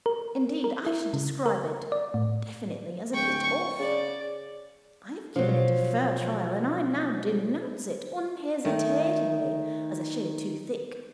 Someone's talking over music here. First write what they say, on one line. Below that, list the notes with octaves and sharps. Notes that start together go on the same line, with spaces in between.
Indeed, I should describe it definitely as a bit off. I have given it a fair trial, and I now denounce it unhesitatingly as a shade too thick.'
A#4
A#4
E4
C#3
A#4
D5
A2
D1 G5 C#6
C#6
C#3 D5
B2 F3 F#3
D#3 A3